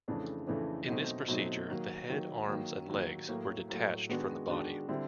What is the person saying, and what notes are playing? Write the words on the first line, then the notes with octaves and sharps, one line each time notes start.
In this procedure, the head, arms, and legs were detached from the body.
F2 C#3 E3 A3 D4
F2 C#3 E3 A3 D4
B2 F#3 A3 C4 D#4
B2 F#3 A3 C4 D#4
D#3 F#3 A#3
D#3 F#3 A#3
D#3 F#3 A#3
D#3 F#3 A#3
A2 F#3 A#3
A2 F#3 A#3
D#3 G#3 B3 D4 F#4
D#3 G#3 B3 D4 F#4
D3 G3 C4 E4